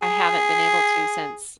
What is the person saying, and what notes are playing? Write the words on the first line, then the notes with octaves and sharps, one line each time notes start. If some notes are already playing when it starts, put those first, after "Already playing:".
I haven't been able to since
G#4